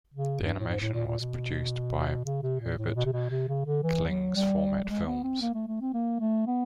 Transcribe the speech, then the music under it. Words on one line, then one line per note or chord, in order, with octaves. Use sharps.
The animation was produced by Herbert Klynn's Format Films.
C#3
G2
A2
G#2
A2
A#2
A#2
B2
C#3
C3
A#2
A2
B2
C3
B2
C3
C#3
D3
E3
F#3
G3
G3
G#3
B3
C4
A#3
A3
A3
C4
A#3
A3
B3